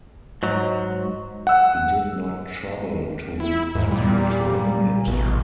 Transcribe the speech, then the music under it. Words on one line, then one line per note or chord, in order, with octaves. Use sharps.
He did not trouble to reclaim it.
G#2 F#3
F#5 E6
E4
D#2 G#2
A#2 G3
A1 B2